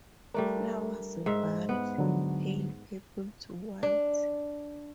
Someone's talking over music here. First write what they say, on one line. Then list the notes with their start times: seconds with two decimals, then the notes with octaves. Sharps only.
Flowers vary from pale purple to white.
0.34 G3 A3 D4 A#4
1.26 G#2 E5
1.69 B3
1.98 D3 F#3
3.83 D4